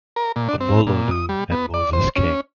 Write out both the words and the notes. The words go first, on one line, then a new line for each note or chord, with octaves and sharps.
Omololu and Moses King.
A#4
A#2
D4
C4
A#2
D#6
G3
B3
D5
C5
C#4